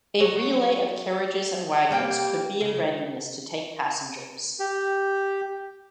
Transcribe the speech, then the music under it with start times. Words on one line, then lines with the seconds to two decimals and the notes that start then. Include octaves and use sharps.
A relay of carriages and wagons could be in readiness to take passengers.
0.20 F#3 C#5
1.91 G3 A#3 D5 G5
2.60 C#3
4.60 G4